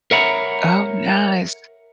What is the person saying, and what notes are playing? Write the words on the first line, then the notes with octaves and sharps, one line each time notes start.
Oh, nice.
A#4 C#5 E5 F#5 A#5 B5